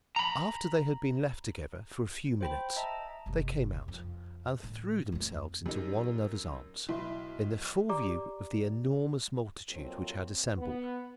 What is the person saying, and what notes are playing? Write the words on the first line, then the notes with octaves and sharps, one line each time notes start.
After they had been left together for a few minutes they came out, and threw themselves into one another's arms, in the full view of the enormous multitude which had assembled.
A#5 B5
C5 G5 B5
D#5 E5 A5 A#5
F#1 C3
F2
A2 D3
F2 A3
F#2 D#4 G4
B1 E4 C6
G4 D5 A#5 D6
F2 A#2 F#3 C4
B3